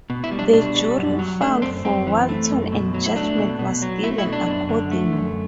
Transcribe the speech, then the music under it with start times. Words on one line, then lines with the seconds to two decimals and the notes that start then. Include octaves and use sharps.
The jury found for Walton and judgment was given accordingly.
0.10 B2
0.24 E4
0.31 G3
0.39 D4
0.53 B2 D4
0.75 G3
0.97 F#2
1.19 F#3
1.41 A3 D4
1.62 F#2 C4
1.85 F#2 C4
2.07 E3
2.29 A3
2.51 F#2
2.72 B2
2.94 F#3
3.06 E4
3.16 A3 D4
3.38 B2
3.59 B2
3.82 F#3
4.03 A3 E4
4.18 E4
4.25 B2
4.33 D4
4.47 F#2
4.69 D3
4.91 A3
5.13 F#2